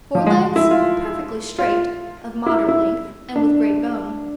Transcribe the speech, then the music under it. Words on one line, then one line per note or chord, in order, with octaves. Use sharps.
FORE-LEGS--Perfectly straight, of moderate length, and with great bone.
F3
G#3
E4
F4
F4
E4
E4
D4